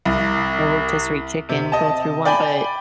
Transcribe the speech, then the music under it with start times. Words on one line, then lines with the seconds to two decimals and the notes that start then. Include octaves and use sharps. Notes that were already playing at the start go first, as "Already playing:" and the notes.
A rotisserie chicken go through one, but
0.05 C2
1.49 C3
1.72 D#5 A5
2.25 D5 G5 G#5 B5